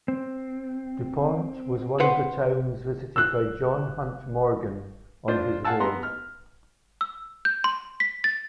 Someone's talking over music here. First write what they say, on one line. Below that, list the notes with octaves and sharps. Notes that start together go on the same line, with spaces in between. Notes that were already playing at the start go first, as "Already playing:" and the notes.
Dupont was one of the towns visited by John Hunt Morgan on his raid.
C4
B4 C5 F#5
E6 F#6
D4 F4 C5
F5 F#5 G#5 A5 E6
B3 A#5 C6
F6
E6
G6
C6
B6
A6